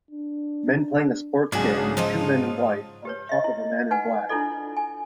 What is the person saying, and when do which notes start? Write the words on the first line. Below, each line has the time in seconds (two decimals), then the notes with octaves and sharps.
Men playing a sports game with two men in white on top of a man in black.
0.11 D4
1.52 B1 G#2 C#3 D4 F#4 G#4
1.97 F3 F#3 D#4 F4
3.05 G4 B4 C#5
3.29 D#5 E5
3.44 E4
3.91 D#4 B4 F#5 G#5
4.29 D4 E4 F4 A4 D5
4.77 G#5